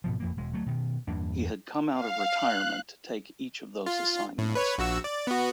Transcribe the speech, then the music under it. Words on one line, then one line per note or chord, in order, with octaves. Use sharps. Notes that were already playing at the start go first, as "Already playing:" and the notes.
He had come out of retirement to take each of those assignments.
G#2 B2 F3
F2 F3 A#3
E1 G#3
D2 F#3 A3
B2 D#3
E2 G2 A#3 D4
F5
F#6
F4
A2
B4 C#5
A#1 F#4 E6
D5
B3 F#4